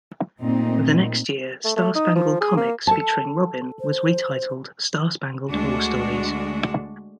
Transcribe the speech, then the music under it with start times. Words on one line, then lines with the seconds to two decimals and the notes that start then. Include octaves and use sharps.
The next year "Star Spangled Comics", featuring Robin, was retitled "Star Spangled War Stories".
0.41 A#2 A3 C4 D#4
1.64 A3
1.76 A3
1.95 D#4
2.15 F3
2.41 G#4
2.57 A#3
2.87 A4 A5
3.80 C5
5.50 D2 G#3 D4 F#4